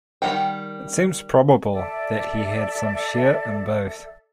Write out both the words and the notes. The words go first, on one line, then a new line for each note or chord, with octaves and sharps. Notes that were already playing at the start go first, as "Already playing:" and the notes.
It seems probable that he had some share in both.
D#3 G3 F4 F#5 G5
A4 D5 E5